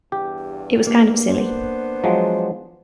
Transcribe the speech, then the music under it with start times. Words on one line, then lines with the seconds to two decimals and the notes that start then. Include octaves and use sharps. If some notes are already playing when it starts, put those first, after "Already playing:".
It was kind of silly.
0.12 E2 G2 G4
0.87 A#3
1.28 B3 D4 C5
2.04 F3 F#3 G#3